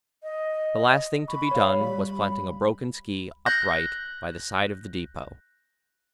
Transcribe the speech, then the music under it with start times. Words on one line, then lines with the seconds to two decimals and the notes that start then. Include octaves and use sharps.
The last thing to be done was planting a broken ski upright by the side of the depot.
0.23 D#5
1.28 B5 C#6
1.51 C#5 F5
1.81 G3 B5
3.46 F#6 G6 A#6